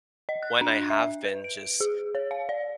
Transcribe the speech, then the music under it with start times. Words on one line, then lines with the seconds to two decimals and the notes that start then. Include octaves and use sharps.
when I have been just
0.29 D#5
0.43 F#6
0.61 D4
0.90 E5
1.25 B4
1.44 D7
1.80 G#4
2.15 C#5
2.31 F5
2.49 D5